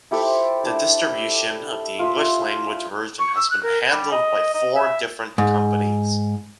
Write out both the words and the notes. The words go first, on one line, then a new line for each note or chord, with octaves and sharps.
The distribution of the English-language version has been handled by four different companies.
E4 G4 A4 C5
D4 E4
F4 E5
C#6
E6
F#6
A#4
G3
D#5
D#5
E5
G#2